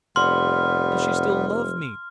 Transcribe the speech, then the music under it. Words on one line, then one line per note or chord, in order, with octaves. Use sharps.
Does she still love me?
F1 G3 B3 C6 F6